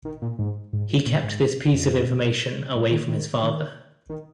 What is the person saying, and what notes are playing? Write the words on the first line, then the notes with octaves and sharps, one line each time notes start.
He kept this piece of information away from his father.
D#3
A#2
G#2
G#2
A#2
G#2
F2
G#2
D#3
D#3
D#3
D#3